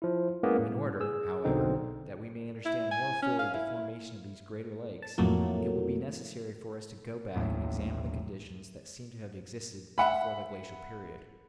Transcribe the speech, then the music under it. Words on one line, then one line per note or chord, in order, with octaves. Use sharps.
In order, however, that we may understand more fully the formation of these greater lakes it will be necessary for us to go back and examine the conditions that seem to have existed before the glacial period.
F3 E4
G#3 A#3 B3 C#4 E4 G#4
A2 G3
G#4 E6
B1 B2 D3 C4 D#4
E4
G#5
C#4
F5
E4
A5
F2 A2 F#3 A3 A#3
A1 D#2 A2 F#3
E5 F#5 B5